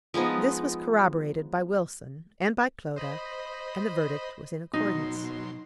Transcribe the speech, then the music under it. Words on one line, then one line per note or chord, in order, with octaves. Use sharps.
This was corroborated by Wilson, and by Clodagh: and the verdict was in accordance.
F3 G#3 B3 D#4
C5 D#5 B5
B2 F#3 D#4 C6